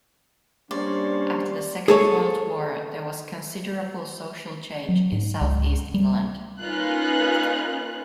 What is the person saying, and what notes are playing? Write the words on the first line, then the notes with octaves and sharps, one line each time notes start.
After the Second World War, there was considerable social change in South East England.
G3 A#3 C#4 D4 C5 D5
G#4 A4 C#5
F#3
G#2
C#2
G3
A#3 C#4 D#4 F4 B4 F#6